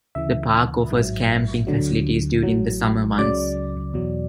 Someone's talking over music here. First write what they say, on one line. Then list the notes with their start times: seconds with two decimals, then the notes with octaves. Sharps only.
The park offers camping facilities during the summer months.
0.15 D2 C#3 E3 E5
0.91 A1 G#2 F#3
1.67 D2 D3 F#3
2.43 A1 A2 F#3
3.18 C#2 C#3 F#3 D5
3.94 E2 B2 F#3